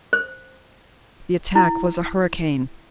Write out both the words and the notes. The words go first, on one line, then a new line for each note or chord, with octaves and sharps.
The attack was a hurricane.
C5
E4